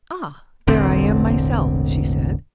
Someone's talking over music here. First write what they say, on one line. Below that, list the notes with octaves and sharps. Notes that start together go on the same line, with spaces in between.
"Ah, there I am myself!" she said.
E1 A1 D3 C4